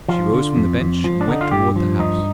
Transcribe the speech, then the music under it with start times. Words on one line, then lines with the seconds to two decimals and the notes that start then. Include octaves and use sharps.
She rose from the bench and went toward the house.
0.08 F3 F4
0.33 D3
0.56 F2
0.80 F2
1.04 F3
1.21 D4
1.28 D3 D#4
1.41 F4
1.51 G2 G4
1.76 F3
1.99 G2 D#4